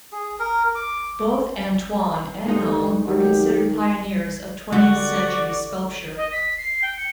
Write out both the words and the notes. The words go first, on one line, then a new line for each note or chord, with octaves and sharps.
Both Antoine and Naum are considered pioneers of twentieth-century sculpture.
G#4
A#4
D6
G2 D3 G#3 D#4
D#3 F#3 G4
D3 G#3 F#4 G4 D5 F#5
D#5
B6
C7
G5
C#7